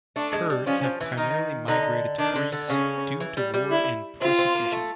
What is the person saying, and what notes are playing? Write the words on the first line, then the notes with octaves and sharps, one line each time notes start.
Kurds have primarily migrated to Greece due to war and persecution.
A3 D4
G#3
G3
F3 C#4
F3
E3
D#3 D#4
D3 D#4
D#3 D4
D3
D3
C#3 C#4
E3
G3
G3
E4
C4 F4
C4
A#3
A3